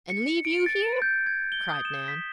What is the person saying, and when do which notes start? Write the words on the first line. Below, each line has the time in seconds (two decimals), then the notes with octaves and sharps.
"And leave you here?" cried Nan.
0.10 C#7
0.45 D7
0.66 A6
1.02 G6
1.26 G#6
1.52 G7
1.70 D#6
1.85 E7
2.08 B6